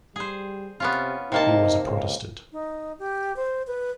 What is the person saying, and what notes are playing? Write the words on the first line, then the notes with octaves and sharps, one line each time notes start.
He was a Protestant.
G3 G#4 C5
C3 B3 C#4 F4
C3 A#3 D#4 A5
C#2
D#4
G4
C5
B4